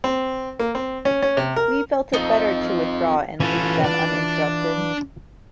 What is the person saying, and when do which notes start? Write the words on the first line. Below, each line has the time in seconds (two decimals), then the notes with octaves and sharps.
We felt it better to withdraw and leave them uninterrupted.
0.04 C4
0.59 A#3
0.75 C4
1.05 C#4
1.22 C#4
1.37 C3
1.56 A#4
2.13 C4 D#4 F4 A4 D#5
3.40 E3 C#4 F4 A4 B4
3.84 D4